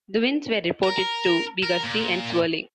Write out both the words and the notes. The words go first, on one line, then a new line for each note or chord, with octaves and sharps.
The winds were reported to be gusty and swirling.
A#4
A#4
A#2